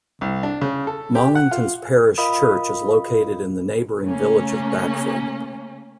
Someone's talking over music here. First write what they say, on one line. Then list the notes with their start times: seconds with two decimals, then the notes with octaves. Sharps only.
Mollington's parish church is located in the neighbouring village of Backford.
0.21 C2
0.43 D4
0.62 C#3
0.87 A4
1.15 G4
1.35 F#5
1.51 F4
2.18 F4 A#4 D#5 F5 B5 D#6
4.02 C#3 A3 A#3 C#4